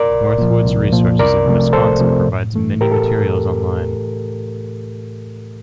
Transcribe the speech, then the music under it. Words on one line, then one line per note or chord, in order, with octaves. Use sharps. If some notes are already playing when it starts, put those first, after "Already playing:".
Northwoods Resources in Wisconsin provides many materials online.
Already playing: A#4 D5
C2
A#2 F3
C2
A#2 F3
C2 A#4 D5
C3 F3 A3
C2 A4 C5
C3 F3 A3
A2
E3 A3
A2 G4 A#4
A4